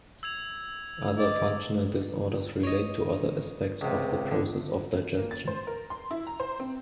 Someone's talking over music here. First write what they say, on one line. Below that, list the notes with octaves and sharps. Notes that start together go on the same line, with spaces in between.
Other "functional" disorders relate to other aspects of the process of digestion.
E6 G#6 F7
D5 D#5
C#5 D#5
C#2 C3
D3
A#3
A6
C5
A#4
C6
E4
A#5
C5
C4